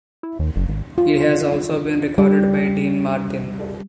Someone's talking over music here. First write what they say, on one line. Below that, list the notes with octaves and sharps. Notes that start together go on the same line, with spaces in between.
It has also been recorded by Dean Martin.
E4
D#2
F#1
G#1
F4
G3